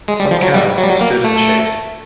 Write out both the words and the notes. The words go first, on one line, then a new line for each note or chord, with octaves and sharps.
Some cows stood in the shade.
G#3
G3
F3
F#3
G3
F#3
G3
F#3
A#3
A3